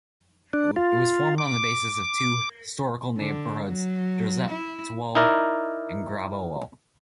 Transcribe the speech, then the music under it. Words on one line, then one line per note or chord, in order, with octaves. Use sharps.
It was formed on the basis of two, historical neighborhoods - Drzetowo and Grabowo.
D4
F4
D6
D3
F#3
E4
D#4 E4 A#4 D5